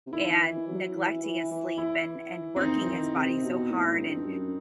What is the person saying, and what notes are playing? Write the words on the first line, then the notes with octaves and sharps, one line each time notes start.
and neglecting his sleep, and and working his body so hard, and
C3
D#3 E4
E3
F#3
E3
E3
E3
E3 E4
C4
D#3 D#4
E3
D#3
C3
B2
A2
G2
F#2